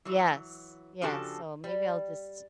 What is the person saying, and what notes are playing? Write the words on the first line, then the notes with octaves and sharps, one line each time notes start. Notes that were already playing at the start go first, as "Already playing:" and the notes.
Yes, yes. So maybe I'll just
E3 F#3
C#3 F3 D4 F#4 G4 A4
G3